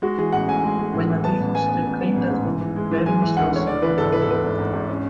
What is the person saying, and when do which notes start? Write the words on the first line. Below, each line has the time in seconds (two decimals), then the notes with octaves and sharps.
When Lathyros reclaimed the throne, Berenice lost her own rule.
0.02 G#3 F#4
0.18 E3 G#4
0.32 A1 F#5
0.48 A2 G#5
0.64 G#3
0.79 G#3
0.93 A2
1.10 E3
1.24 B3 A5
1.40 A1
1.55 B3 G#5
1.69 B3
1.85 A1
2.01 B3
2.16 A1
2.30 G#2
2.45 E3
2.61 E3
2.76 G#3
2.91 E3
3.06 G#3 G#5
3.22 E3
3.37 D2 F#5
3.53 D2 C#5
3.67 E3 D5
3.82 E3 B4
3.98 G#1 A4
4.12 E3 B4
4.22 A4
4.28 E3 B4
4.43 G#1
4.58 G#1
4.73 G#1
4.89 C#4